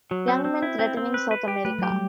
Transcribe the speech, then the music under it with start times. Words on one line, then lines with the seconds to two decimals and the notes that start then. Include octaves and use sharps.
Young men threatening South America!
0.11 F#3 F#4
0.28 C4
0.45 C4
0.62 E4
0.79 C4
0.97 C4
1.14 B4
1.31 B4
1.48 G4
1.65 A3 B4
1.79 F#3 G4
1.91 G3